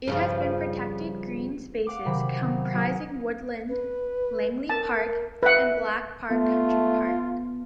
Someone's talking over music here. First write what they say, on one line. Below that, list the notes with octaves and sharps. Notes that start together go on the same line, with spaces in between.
It has protected green spaces comprising woodland, Langley Park and Black Park Country Park.
G2 C#3 F3
F5 F#5 D6
C3 D#3 F#3 B5
D#3 D#4
F#3 D#4 G#4
B4
A#4 A5
B4 E5 F#5
A3 B3 F4